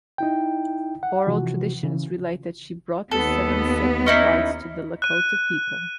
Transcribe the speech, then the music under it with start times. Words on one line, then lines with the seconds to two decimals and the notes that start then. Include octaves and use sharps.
Oral traditions relate that she brought the "Seven Sacred Rites" to the Lakota people.
0.18 D#4 E4 G5
1.03 F#5
1.27 C3 E3 F3 F#4
1.83 C#3 E3
3.11 D#2 B3 A4
4.06 C#4 D#4 E4
5.02 F#6 D#7